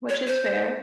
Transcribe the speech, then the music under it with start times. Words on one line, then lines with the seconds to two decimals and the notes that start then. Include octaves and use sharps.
which is fair.
0.09 C#5
0.27 C5